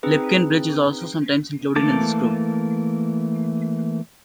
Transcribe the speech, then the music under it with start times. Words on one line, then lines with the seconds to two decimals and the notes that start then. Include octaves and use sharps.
Lipkin Bridge is also sometimes included in this group.
0.03 C4 D#4 G#4 B4
1.76 E3 A3 A#3 A5 D6